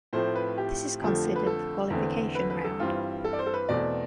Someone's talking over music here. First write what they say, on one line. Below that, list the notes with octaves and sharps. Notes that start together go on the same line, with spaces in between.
This is considered the qualification round.
A2 F3 A3 C4 C5
B4
G4
F2 D3 F3 A3
B4
A4
E2 D3 A3 C4
B4
B4
A4
G2 E3 G3 C4 F4
A4
D5
C5
A4
B4
E2 B2 A3 C4 D5